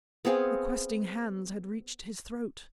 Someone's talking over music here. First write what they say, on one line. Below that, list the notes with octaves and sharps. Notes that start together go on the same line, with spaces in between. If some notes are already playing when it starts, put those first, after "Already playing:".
The questing hands had reached his throat!
B3 C4 G#4 F5